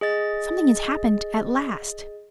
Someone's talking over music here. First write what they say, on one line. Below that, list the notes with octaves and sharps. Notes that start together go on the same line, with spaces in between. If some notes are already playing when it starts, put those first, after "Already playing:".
Something has happened at last.
G#4 D#5 A6